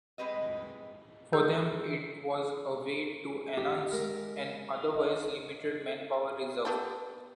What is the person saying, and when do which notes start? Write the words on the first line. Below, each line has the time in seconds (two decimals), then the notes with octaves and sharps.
For them it was a way to enhance an otherwise limited manpower reserve.
0.18 G#3 C4 G#4 B4 C5 D#5
1.33 G#4 E6 G6
3.57 G4
3.92 G#3 A#4
4.93 D#5
6.65 B3 G4 A4